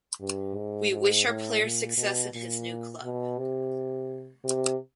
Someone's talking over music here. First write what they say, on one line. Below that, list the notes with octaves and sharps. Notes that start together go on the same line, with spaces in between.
We wish our player success in his new club.
G2
G#2
G#2
A2
A#2
B2
A#2
B2
C3
C3